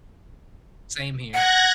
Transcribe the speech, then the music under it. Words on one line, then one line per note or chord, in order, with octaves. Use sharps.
Same here.
F#5 F#6 G#6 A#6